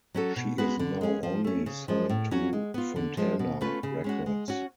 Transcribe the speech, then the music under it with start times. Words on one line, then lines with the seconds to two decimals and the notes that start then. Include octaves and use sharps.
She is now only signed to Fontana Records.
0.14 F#3 C#4 F#4 A4
0.36 B2
0.58 G#3 B3 F#4 B4
0.79 D3
1.01 G#3 C#4 G#4
1.23 F3
1.44 A3 C#4
1.66 C#3
1.88 F3 G#3
2.09 A2
2.31 F#3 C#4 F#4
2.53 G#3
2.74 B3 F4
2.96 D3
3.17 F3 G#3
3.39 B2
3.61 A3 C#4 F4 B4
3.83 C#3
4.04 G#3 C#4 F#4
4.26 G#3
4.48 C#4 F#4